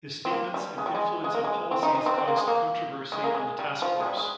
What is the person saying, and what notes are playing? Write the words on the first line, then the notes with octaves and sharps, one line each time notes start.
His statements and influence on policies caused controversy on the task force.
C4
A#3
G3
G#3
G3
G#3
G#3
A#3
G#3
C4
D#4
D#4
C4
C4
A#3
G#3
A#3
G#3
A#3
G#3
G3
F3
G#3
G3
G#3